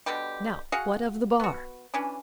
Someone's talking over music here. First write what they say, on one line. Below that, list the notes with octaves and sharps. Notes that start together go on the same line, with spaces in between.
Now what of the Bar?
B2 D3 G3 G4
F#4 G#4 F5 F#5
B3 F#4
E3 C#4 D4